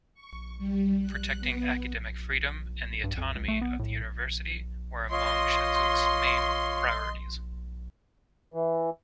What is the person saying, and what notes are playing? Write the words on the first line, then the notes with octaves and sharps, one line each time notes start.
Protecting academic freedom and the autonomy of the university were among Shattuck's main priorities.
C#6
G3
F#6
B3
G2
F2
C#2
A3
B3
A2
F4 C#5 D#5 C6
E3